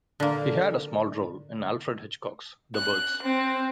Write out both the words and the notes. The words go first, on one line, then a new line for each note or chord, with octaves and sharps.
He had a small role in Alfred Hitchcock's "The Birds".
D3 A#3
F#6
C4